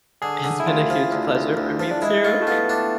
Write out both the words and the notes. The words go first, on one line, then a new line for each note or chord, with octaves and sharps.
It’s been a huge pleasure for me too.
D3 G#4
D3
E4
D2 F4
F3
D2
D2
D2
F3
D4
G#3 E4
A3 F4
A3
B3 F4
D4